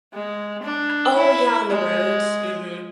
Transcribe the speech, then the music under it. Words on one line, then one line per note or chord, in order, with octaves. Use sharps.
Oh, yeah, on the roads? Mhm.
G#3
D4
E4
G#3